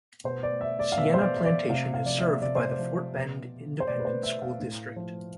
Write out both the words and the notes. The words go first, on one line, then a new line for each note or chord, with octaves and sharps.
Sienna Plantation is served by the Fort Bend Independent School District.
B2 C5
D5
E5
D5
F5
B2 E5
C5
D5
E5
D5
C3 F5
F5
F3 D5
E5
C3 D5
C5
D5
F3
B2
C5
B2 D5
B4
C5
E5
F5
A2
F3